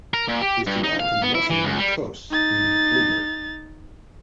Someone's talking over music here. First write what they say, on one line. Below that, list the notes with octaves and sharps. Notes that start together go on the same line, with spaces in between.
It is derived from Russian word "kos" meaning bluebird.
A#4
A#2
G4
G2
D#4
F5
B3
E4
E3
C#2
G3
D#4 A6